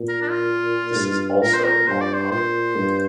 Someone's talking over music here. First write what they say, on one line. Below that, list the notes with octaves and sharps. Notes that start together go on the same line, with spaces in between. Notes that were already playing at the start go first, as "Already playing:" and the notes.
This is also online.
Already playing: A#2
A#4
D4
F4
G2
A#2 A#4
C5
A#4
G2 C5
D5
C5
A#2 C5
G2